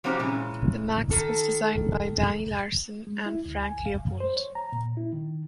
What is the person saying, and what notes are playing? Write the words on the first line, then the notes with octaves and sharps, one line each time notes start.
The Maxx was designed by Danny Larson and Frank Leopold.
F3 F#3 A#3 C4 D#4 G4
A#2 E3 G#3 C#4
D#3 A4
G#3
E4
D2
G#5
F5
F#2
C5
C#5
A#5
A#2
E4
D#3